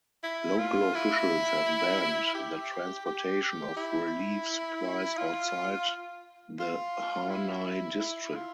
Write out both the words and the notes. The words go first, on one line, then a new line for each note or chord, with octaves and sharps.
Local officials have banned the transportation of relief supplies outside the Harnai District.
E4
F4
E4
G4
G4
E4
F4
F4
E4
E4
F4